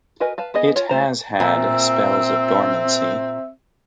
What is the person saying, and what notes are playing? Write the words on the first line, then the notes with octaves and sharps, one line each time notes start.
It has had spells of dormancy.
F#4 A#4 B4 D#5 G#5
B4 F5 A5
B3 G#4 D#5
F4 C#5
A3 F4 C5 A#5
A#2 C4 E5 E6